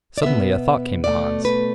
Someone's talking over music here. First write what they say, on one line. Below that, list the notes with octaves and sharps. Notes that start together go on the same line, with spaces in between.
Suddenly a thought came to Hans.
D5
B2 B3 E5
B2 A3 D5
B4